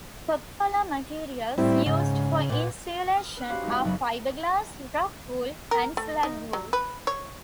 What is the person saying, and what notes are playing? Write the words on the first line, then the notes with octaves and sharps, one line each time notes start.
Popular materials used for insulation are fiber glass, rock wool, and slag wool.
A2 G3 C4 E4
G#2 C#3
A#2 B3
F6
B4 F#6
C#4 F#4 G4 B4 C5 F5
G#3 B3 D#4
F#1 F#3 D#4 B4 C#6
A#4
A3
D#4
F#3
B4
C#5